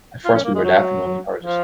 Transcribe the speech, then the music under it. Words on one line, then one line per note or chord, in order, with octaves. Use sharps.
At first we were laughing when we heard it.
F4
C#4
A#3
G#3
F#3
F3